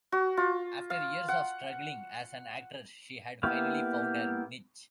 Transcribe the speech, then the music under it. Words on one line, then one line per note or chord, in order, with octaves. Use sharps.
After years of struggling as an actress, she had finally found her niche.
F#4
F4
F5
F#5
A#3 B3 E4 G4 F5